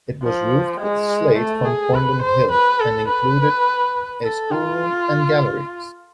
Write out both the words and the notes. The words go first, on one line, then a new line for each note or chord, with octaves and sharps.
It was roofed with slate from Corndon Hill and included a schoolroom and galleries.
F3
G#3
A3
G#4
B4
C5
B4
A4
B4
A4
F4